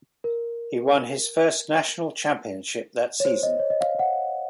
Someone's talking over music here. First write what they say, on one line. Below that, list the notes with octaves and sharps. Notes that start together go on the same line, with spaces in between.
He won his first National Championship that season.
A#4
C#5
C5
D#5
C#5
D#5
F5
F#5